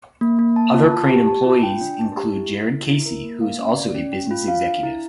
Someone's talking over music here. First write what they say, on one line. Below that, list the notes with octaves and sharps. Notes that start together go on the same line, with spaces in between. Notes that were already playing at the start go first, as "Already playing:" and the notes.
Other Crane employees include Jared Casey, who is also a business executive.
A#3
A#3
A5
F4
A5
G4
A5
F4
G5
D4
A5
G4
E4
E4
E4
E4
A#4
A#3
F5
C#4
D5
C#4
G5
F4
F5
D4
E4